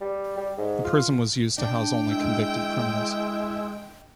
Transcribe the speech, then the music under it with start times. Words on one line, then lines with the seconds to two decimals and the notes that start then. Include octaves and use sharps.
The prison was used to house only convicted criminals.
0.01 G3
0.37 G3
0.58 G#2
0.85 F4
1.58 D4 G5
2.11 G#3 E4